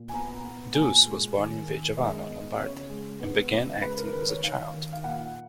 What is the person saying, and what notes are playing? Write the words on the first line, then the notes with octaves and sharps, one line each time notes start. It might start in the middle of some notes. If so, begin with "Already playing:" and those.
Duse was born in Vigevano, Lombardy, and began acting as a child.
Already playing: A#2
G#5
B3 A#5
B3
A#2 G#5
G#3
D#3
D#3
G#3 D#5
B3
C#3 C#5
G#3
B3 B4
C#3
G#3 B4
B4
A#4
D#3 B4
C#5
D#3 F5
D#3
F5
A#2 F#5